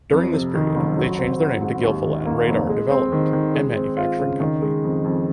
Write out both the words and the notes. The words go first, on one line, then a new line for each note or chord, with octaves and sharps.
During this period they changed their name to Gilfillan Radar Development and Manufacturing Company.
F2
C3
D#3
F#1
F#3
C4
F#4
G#2
D#2
D#3
A#3
F1
G#3
C4
D#3
D#3
G#3
C4
F4
C#3
D#3
G#3
F2
F2